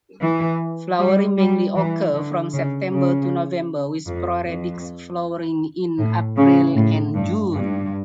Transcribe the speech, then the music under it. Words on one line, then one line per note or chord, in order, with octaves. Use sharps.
Flowering mainly occurs from September to November with sporadic flowering in April and June.
E3
G3
G3
E3
D3
C#3
C#3
F2
F2
A2
C#3
A2
G2
G2